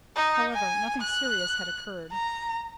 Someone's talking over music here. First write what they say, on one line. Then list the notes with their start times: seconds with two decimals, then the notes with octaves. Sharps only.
However, nothing serious had occurred.
0.16 D#4
0.54 G#5
1.01 F#6
2.12 A#5